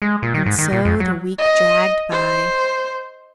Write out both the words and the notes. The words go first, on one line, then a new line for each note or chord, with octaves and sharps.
And so the week dragged by....
G#3
A#2
D#3
G#2
D#3
A#2
F2
F#3
D#5
C5